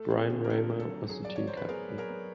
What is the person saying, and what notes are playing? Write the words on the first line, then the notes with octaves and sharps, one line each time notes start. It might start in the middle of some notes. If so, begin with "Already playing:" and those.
Brian Ramer was the team captain.
Already playing: A3 A4
C4 G#4
D3 G#4
A#4
A3 A4
A3
A4
F#3
F#3 G#4
F#3 D5
C#5
F#3 C5
B4
B3 G#4 A#4
F#3
G#4 A#4
B3